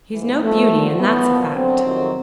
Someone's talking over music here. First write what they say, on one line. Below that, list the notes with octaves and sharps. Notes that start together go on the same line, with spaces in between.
"He's no beauty, and that's a fact."
G#2 E3
G#2 F3 A3
G2 D3 F3
A2 E3 B3
A#2 F3
F#2 D3 F#3 C4
F2 C3 D#3 F#3